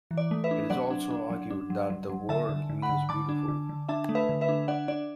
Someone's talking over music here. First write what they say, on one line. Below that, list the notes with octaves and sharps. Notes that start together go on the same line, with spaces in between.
It is also argued that the word means beautiful.
E3
D5
A3
B4 E5
D4
F#3 D5 F#5
D4
D4
F#3
D4
F#3
F#3
F#3
D3 E5 A5
D3
D3
F#5 B5
D3
D3 A5 D6
D4
D3
D3
D4 E5 A5
A3
B4 E5
D3
B4 E5
D4
D4 D5 F#5
D4 D5